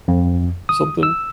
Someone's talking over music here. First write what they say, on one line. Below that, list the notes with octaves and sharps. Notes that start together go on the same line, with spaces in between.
or something?
F2
D#6
E6